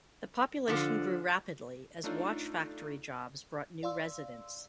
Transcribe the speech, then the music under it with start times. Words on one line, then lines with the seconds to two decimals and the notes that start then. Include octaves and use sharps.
The population grew rapidly as watch factory jobs brought new residents.
0.68 D3 F3
2.04 A3 D4 D#4 F4 A4 C#5
3.83 D5 F5 C6 E6